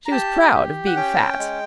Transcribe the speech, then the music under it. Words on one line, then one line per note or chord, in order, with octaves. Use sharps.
She was proud of being fat.
A#5
G4 A5
G4
F#5
C#4 G5
G#3